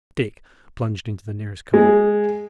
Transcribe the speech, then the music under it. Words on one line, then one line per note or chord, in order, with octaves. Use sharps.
Dick plunged into the nearest cover.
G#3